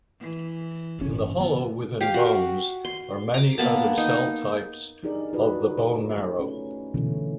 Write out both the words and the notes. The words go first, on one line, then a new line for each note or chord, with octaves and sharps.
In the hollow within bones are many other cell types of the bone marrow.
E3
D1 G1 C#4
D2 E3 B3
G4 F5
F#4
C6
A#5 D6
A#3 B3 A5
D#4
D4 D#4 G4 G#4 A#4 D5
D#4 F4 F#4 B4 D5 D#5
A3 D#4
C#4
B2 D3 E3 A3 C#4